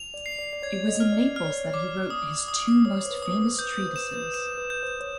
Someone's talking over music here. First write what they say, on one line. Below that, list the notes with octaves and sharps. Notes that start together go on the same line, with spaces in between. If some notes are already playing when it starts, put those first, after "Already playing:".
It was in Naples that he wrote his two most famous treatises.
Already playing: F7
D5
C7
D5
D5
C#5 G#6
D#5
F6
D5
D5 F6
C#5
D5
D6
D#6
D#6
C#5 D#6
C5
B4
D#6
C5
B4 G6
C5
C5
B4 E7
B4
C5 E7
B4
G6
C5
C#5